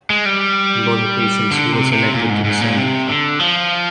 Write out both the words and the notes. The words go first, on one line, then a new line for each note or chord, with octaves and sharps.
On both occasions he was elected to the Senate.
G#3
G3
D3
C3
C3
A#2
G#2
G#2
A#2
C3
D3
F3